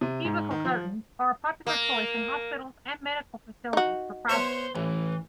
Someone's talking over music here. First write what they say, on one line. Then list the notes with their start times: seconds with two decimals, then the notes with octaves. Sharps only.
Cubicle curtains are a popular choice in hospitals and medical facilities for privacy.
0.01 C3
0.25 G#2
0.51 D#3
0.65 F3
1.67 A#3
3.73 D#4 F#4
4.29 B3 C5 C#5 E5 C6
4.76 A1 E3